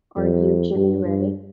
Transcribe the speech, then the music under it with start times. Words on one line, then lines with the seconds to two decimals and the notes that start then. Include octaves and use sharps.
Are You Jimmy Ray?
0.17 F2
0.76 G2
1.05 G2